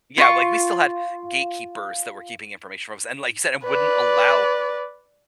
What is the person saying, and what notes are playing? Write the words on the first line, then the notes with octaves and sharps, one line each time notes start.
Yeah, like, we still had gatekeepers that were keeping information from us, and like you said, it wouldn't allow
F4 C#6
B4 D5